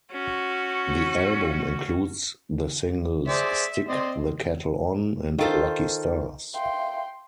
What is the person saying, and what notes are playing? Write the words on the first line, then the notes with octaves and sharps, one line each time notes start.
The album includes the singles "Stick the Kettle On" and "Lucky Stars".
C#4 F#4
G#4 C5 D5 E5
C4 D5 D#5 C6
D#3 F4 A4 C5
E5 F5 G5 C6